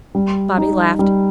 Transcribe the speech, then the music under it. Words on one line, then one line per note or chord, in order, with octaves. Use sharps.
Bobby laughed.
G3
D#4
G3